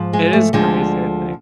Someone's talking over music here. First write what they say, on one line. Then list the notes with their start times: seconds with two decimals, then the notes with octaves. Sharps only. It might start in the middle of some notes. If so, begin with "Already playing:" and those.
It is crazy, I think,
Already playing: G#2 F3
0.13 G#3
0.33 A3
0.53 D2 D3 F3 G#3